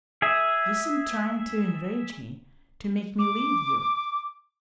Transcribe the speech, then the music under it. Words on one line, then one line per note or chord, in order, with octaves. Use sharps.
"You seem trying to enrage me, to make me leave you."
G#4 E5
D6